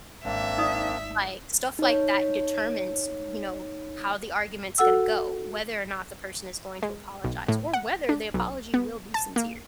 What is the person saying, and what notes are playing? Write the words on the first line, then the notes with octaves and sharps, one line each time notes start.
Like, stuff like that determines, you know, how the argument's gonna go, whether or not the person is going to apologize or whether the apology will be sincere.
G#1 A#3 C4 D4 E5
D#4 D5 D#6
D#4 C#5
F#4 A4 F#5 E6
G#3
B1
A2
F#5
D4
B1
B3
A5
A#3